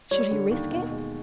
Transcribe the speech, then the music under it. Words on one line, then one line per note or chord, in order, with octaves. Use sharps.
Should he risk it?
G3 C#5
D3
D#2
B2
G#3